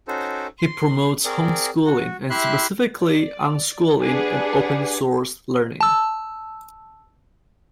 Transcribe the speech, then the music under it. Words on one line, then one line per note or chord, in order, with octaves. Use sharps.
He promotes homeschooling, and specifically unschooling and open source learning.
C#4 D#4 F#4 A4 C5
C6
C4 G#4 A#4 D5
F#4
E4 G4 E5 C6 F#6
D5
D4 G4 G#4 B4 D5 F#5
A5 E6